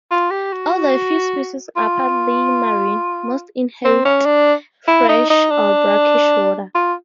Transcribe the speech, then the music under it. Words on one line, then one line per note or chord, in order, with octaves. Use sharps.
Although a few species are partly marine, most inhabit fresh or brackish water.
F4
G4
F#4
F4
C4
C#4
D4
E4
D#4
D#4
D4
F4